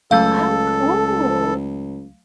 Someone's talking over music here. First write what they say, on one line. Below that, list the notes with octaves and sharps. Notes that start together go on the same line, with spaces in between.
Oh, cool!
C#2 F#3 A3 A4 F5